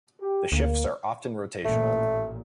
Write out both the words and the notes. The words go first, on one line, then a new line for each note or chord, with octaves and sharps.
The shifts are often rotational.
G4
D2 A#3
A1 A#2 A3